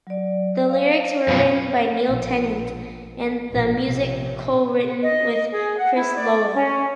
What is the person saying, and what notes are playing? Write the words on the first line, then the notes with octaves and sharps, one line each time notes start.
The lyrics were written by Neil Tennant and the music co-written with Chris Lowe.
F#3 D5
F5
F#2 B2 F3 F5
A#1
A#1
A#1 C3
D#5
G#4
F#5
E4
D5
C#4